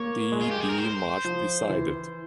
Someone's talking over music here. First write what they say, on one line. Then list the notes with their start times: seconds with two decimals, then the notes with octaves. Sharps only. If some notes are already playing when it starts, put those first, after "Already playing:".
T. B. Marsh presided.
Already playing: A#3 C#5
0.32 G#3
0.41 F4
0.51 G4
0.60 G#4
0.69 A#4
0.78 C5
1.25 F3
1.69 E3